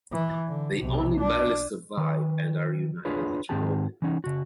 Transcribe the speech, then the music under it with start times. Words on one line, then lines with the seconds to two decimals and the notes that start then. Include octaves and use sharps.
They only barely survive and are reunited with Robyn.
0.12 E3
0.48 D3
0.80 B1 C3
1.21 D4
1.97 D#3 B4
3.05 D4 F4 G#4 B4 C#5
3.49 G#2 D#3 C4 G4 G#4 A5
4.02 E3 C#4 D#4
4.24 C#3 F#4